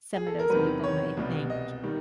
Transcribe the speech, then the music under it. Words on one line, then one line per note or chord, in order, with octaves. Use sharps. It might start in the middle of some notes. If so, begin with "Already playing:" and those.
some of those people might think,
G#4
A4
A#4
E2 C3 D#3 F#3 B4
C#5
C2 B2 G3
D#5
D#3 G3